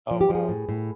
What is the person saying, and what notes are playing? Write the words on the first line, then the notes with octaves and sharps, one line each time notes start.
Oh, wow.
F3
G4
F3
G#4
A2
A2